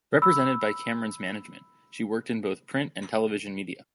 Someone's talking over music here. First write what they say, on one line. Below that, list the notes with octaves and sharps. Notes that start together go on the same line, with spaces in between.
Represented by Cameron's Management, she worked in both print and television media.
B5 E6